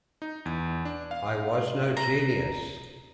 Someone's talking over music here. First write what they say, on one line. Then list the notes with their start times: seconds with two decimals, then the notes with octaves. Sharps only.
I was no genius.
0.22 D#4
0.46 E2
0.85 D4
1.11 F5
1.97 A#5